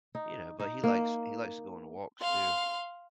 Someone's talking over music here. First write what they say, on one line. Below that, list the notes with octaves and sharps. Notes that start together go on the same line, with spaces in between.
you know, but he likes he likes to go on walks too.
D#4
D#4
A#3
F5 C6